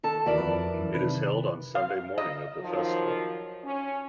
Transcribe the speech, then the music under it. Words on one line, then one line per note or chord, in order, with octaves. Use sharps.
It is held on Sunday morning of the Festival.
D#3 A4 A5
D#2 E3 F#4 A#4 D5 E5
F2 F3 B4
F#2 E3
C3 D#3 B4
F5
D#5
D#3 F3 F#3
C#4